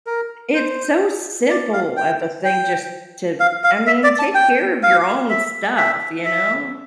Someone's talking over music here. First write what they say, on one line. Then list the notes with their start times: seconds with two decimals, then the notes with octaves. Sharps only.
it's so simple of a thing just to, I mean, take care of your own stuff, you know.
0.07 A#4
0.54 C5
1.50 D5
1.73 F5
1.97 G5
2.44 G5
3.40 F5
3.64 F5
3.87 E5
4.04 D5
4.19 A5
4.35 G5
4.83 F5
5.30 E5
5.77 E5
6.25 E5